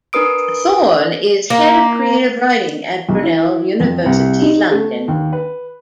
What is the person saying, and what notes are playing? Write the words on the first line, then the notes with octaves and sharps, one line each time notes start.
Thorne is Head of Creative Writing at Brunel University, London.
D4 A#4 B4 D#6 D7
A#3
B1
E4
F2
C2
D#4
A3
D#2
B4